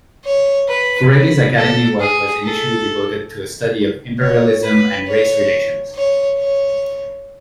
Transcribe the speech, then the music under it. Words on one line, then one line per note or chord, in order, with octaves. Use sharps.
Furedi's academic work was initially devoted to a study of imperialism and race relations.
C#5
B4
B4
A4
G#4
A4
C#5
B4
C#5
C#5
C#5